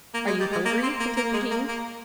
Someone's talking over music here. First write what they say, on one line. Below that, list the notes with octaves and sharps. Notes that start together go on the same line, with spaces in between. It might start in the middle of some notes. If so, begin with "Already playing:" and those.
"Are you hungry?" continued he.
A#3
G#3
G3
G#3
A#3
C4
A#3
A#3
G#3
A#3
A#3